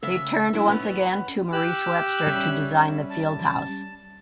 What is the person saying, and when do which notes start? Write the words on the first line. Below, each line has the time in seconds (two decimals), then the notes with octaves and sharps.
They turned once again to Maurice Webster to design the field house.
0.03 C#3 E5 E6
0.53 F#3 D4 E4
0.68 B3 C#4 B5
1.53 G4 E6 F#6
2.27 G3 C#4 E5
3.10 A5